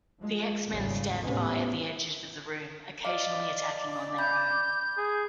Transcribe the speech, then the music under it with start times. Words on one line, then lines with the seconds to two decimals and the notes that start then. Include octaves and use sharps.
The X-Men stand-by at the edges of the room, occasionally attacking on their own.
0.22 F3 G#3
0.69 G#1 D#2 C#3 G3
1.22 A2 C3 B3 C#4
3.05 D5 D#5 F5
4.19 B5 G6
4.97 G#4